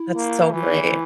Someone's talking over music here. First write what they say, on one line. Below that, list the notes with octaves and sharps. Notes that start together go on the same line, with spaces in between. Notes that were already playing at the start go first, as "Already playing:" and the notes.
That's so great.
Already playing: E4
A#3
E3 F4
E4
D#4
E4